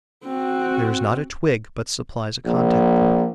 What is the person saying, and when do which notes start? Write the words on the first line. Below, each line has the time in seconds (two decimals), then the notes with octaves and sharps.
There is not a twig but supplies a contact-point.
0.25 C4 F#4
2.45 A#1